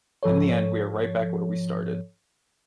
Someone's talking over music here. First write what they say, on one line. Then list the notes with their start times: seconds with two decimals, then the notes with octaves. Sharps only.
In the end, we are right back where we started.
0.23 G#2 F3 A4 C#5